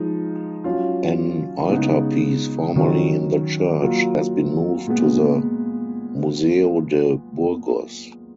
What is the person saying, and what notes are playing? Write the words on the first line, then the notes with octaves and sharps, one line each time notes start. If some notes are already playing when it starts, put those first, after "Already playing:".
An altarpiece formerly in the church has been moved to the Museo de Burgos.
Already playing: F3 G#3 D#4
F#3 C#4 F4
C#3 G#3 B3 D#4
D#3 F#3 C#4
F#3 A#3 F4
A#2 G#3 B3